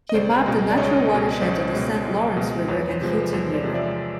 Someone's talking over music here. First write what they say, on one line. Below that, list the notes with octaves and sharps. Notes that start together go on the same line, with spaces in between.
He mapped the natural watersheds of the Saint Lawrence River and Hudson River.
D#5
C#2 C5 D5
B2 G#3
D5
C#2 C#5 D#5
B2 G#3
C#2 C5 D5
B2 G#3
C#2
B2 G#3
E2 B4 C#5
C5
C3 F3 G#3
B4
E2 C5
C5 D5
C3 F3 G#3
D5 E5